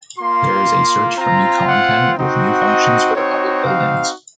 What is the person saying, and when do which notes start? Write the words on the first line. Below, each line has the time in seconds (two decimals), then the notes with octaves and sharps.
There is a search for new content with new functions for the public buildings.
0.19 A#3 F4 C6
1.18 C4 F4 A#5
1.68 F#5
2.18 C4 D#4 F#4
2.66 D#5
3.16 C4 D#4 F#4 C#5
3.66 F5